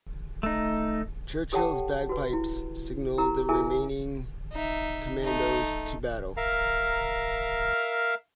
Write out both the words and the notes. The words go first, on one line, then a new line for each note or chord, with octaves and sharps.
Churchill's bagpipes signalled the remaining Commandos to battle.
A3 D#4
G4 A4 C#5 F#5 G5 A5
F#4 B4
E4
E4 G4 A#4 A#5
E4 G#4 A#4 E5 G#5
D#4 E5
A3 D#4
A#4 E5 F5 A#5